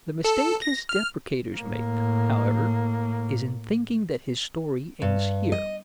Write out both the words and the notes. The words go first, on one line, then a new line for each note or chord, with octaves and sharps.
The mistake his depreciators make, however, is in thinking that his story ends here.
A4
A#6
F6
A2 A#3
G2
D#5